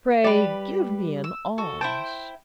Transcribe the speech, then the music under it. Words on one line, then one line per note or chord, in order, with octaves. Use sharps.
Pray give me an alms.'
G3 G4 B4 D5
E6
F#4 A4
E4 C5 G5 A5